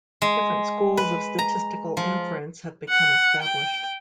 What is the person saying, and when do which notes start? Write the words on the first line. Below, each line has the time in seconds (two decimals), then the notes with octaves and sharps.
Different schools of statistical inference have become established.
0.22 G#3
0.97 B4
1.39 A#5
1.97 F3
2.89 F#5
3.42 G5